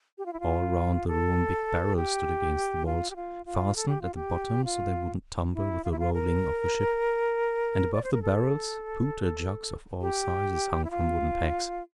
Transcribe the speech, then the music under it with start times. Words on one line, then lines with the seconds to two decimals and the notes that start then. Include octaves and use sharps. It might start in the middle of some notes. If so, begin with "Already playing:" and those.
All round the room big barrels stood against the walls, fastened at the bottom so they wouldn't tumble with the rolling of the ship; and above the barrels, pewter jugs of all sizes hung from wooden pegs.
0.18 G4
0.26 F4
0.33 E4
0.40 F4
1.07 A4
1.96 G4
2.86 F4
3.10 G4
3.16 F4
3.46 F4
3.76 A4
3.88 G4
4.02 F4
4.15 G4
4.65 F4
5.54 E4
5.84 F4
5.92 E4
5.99 F4
6.13 A#4
7.94 D5
8.04 C5
8.13 A#4
8.23 A4
10.01 G4
10.85 E4
10.91 F4